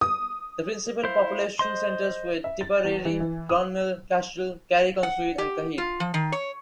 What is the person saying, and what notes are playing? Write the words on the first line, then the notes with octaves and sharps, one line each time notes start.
The principle population centres were Tipperary, Clonmel, Cashel, Carrick-on-Suir and Cahir.
D#6
E4 C5 F5
C5 D#5 C6
E5
A6
E2
E3
E3
D#6
F#5
G4
F4
F3
D#3
C#5